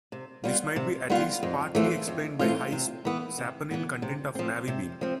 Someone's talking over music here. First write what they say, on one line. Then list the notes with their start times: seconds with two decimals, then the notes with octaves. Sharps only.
This might be at least partly explained by high saponin content of navy bean.
0.12 C3
0.44 G3 B3 F4
0.76 C3
1.10 G3 B3 F4
1.43 F2
1.75 E3 A3 C4 F4
2.08 F2
2.39 E3 A3 C4 F4
2.72 C3
3.05 E3 B3
3.38 C3
3.71 E3 B3
4.02 C3
4.35 F3 C4
4.68 C3
5.01 F3 C4